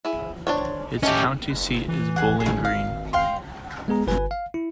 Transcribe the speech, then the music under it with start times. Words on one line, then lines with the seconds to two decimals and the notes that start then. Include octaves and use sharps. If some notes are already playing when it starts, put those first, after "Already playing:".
Its county seat is Bowling Green.
0.05 E4 G#4
0.47 D4 C5 C#5
1.03 A3 C#4 G4 D#5
1.54 F#1
1.88 E3
2.16 G#4 F#5
2.40 G#1 G#4
2.65 F5
3.13 F5 G5 C6
3.88 G#3 B3 G#4 A#5
4.07 G1 B4 G#5
4.31 F5
4.54 E4